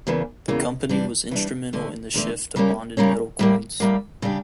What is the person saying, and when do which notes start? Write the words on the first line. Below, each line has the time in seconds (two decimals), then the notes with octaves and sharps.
The company was instrumental in the shift to bonded metal coins.
0.07 E2 C#3 E3 A#3
0.48 E2 C#3 E3 A#3
0.89 E3 G3 D4
1.31 E3 G3 D4
1.73 E2 D3 A3
2.14 E2 D3 A3
2.56 C#3 G3 A#3 C#4
2.97 C#3 G3 A#3 C#4
3.39 A2 G3 A#3
3.80 A2 G3 A#3
4.22 C#3 G3 D4 G4